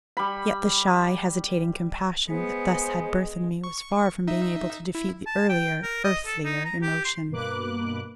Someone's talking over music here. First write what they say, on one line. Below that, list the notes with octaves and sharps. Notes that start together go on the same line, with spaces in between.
Yet the shy, hesitating compassion that thus had birth in me was far from being able to defeat the earlier, earthlier emotion.
G3 B5
G#3 B3 G#4 C5
C#6
D#4 E5
E4
A5
G5
A#4
D#5
A4
D#4
A#5
G4
C6
G2 B2 A#3 B4 D6 F#6